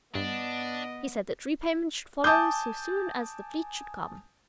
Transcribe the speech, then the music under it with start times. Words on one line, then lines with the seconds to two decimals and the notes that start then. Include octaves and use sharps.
He said that repayment should follow so soon as the fleet should come.
0.15 G2 B3 D4 D#5
2.24 G#5 A5 D6 D#6 G6